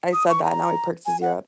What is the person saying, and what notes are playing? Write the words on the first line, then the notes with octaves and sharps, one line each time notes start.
I said that, now he perks his ear up-
D#6
C#6
A#5
G#5
F#5